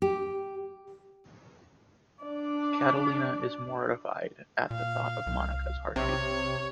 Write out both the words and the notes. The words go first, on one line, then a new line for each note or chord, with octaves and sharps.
Catalina is mortified at the thought of Monica's heartbreak.
G4
D4 D5
A#2 F5
C2
B1 C3 C#5